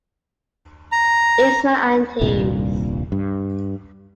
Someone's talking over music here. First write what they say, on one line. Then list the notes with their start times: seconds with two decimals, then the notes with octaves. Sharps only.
It's my auntie's.
0.92 A#5
2.21 D#1 C2 G2 A#2
3.12 G2